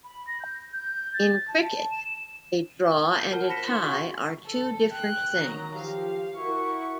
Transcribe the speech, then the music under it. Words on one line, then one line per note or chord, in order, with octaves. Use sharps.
In cricket, a draw and a tie are two different things.
B5
A#6
G6
G6
A6
A5
E7
G6
F4 A#4 F#5 A5 F6 G7
C5 B5 A#6 B6 C#7 E7
D#4 C6
F#4 G#4 F#5 C#6
A4
G5 F#6
D#3 F#3 A#5
F3 G4 F5
E4 F#4 A#4 C#6